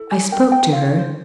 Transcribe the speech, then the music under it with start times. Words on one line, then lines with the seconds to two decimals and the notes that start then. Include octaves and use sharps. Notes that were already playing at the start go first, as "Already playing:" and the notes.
I spoke to her.
Already playing: E4 A4
0.11 G#5
0.31 D4 F#4 A#4 G5
0.52 G5
0.72 C#4 F4 A4 F5
0.85 C#5
0.99 C5